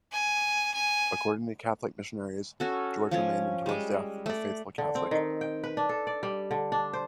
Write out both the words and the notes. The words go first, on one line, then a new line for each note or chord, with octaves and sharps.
According to Catholic missionaries George remained until his death a faithful Catholic.
G#5
G#5
C#4 F#4 A4
F3 C#4 C#5
G3 G#3
A3 D5
D3
C4
D#3
G5
B4
D4
A4
D5
G3
D3
D4
C5